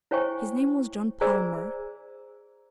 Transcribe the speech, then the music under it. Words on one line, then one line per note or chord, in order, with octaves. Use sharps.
His name was John Palmer.
E4 C5 C#5 G5 G#5 C#6
G#4 C5 D5 G#5 A#5 E6